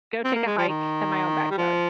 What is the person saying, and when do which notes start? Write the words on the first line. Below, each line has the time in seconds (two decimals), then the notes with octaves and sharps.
Go take a hike in my own backyard.
0.24 C4
0.35 A#3
0.46 G#3
0.58 F3
0.69 D#3
1.51 G3
1.58 F3